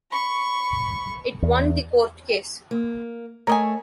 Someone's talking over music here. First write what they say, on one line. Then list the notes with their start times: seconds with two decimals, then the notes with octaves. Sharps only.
It won the court case.
0.11 B5 C#6
1.42 E2
2.71 A#3
3.47 A3 A#4 C#5 D#5 G#5